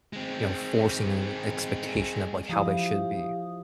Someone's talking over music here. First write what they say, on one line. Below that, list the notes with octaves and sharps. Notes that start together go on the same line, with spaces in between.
you know, forcing a expectation of, like, how they should be,
G#3 C4
F3 E4 G4 F5 D#6